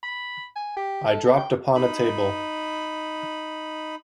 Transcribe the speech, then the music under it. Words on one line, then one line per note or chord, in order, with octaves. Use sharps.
I dropped upon a table.
B5
G#5
G4
A4
G5
D#4 B5